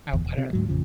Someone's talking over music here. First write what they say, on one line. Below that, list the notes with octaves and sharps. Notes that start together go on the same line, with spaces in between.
I wanna
G1 E2
E1
C3
D2 G#2 F#3
A1 F2 C#3 F3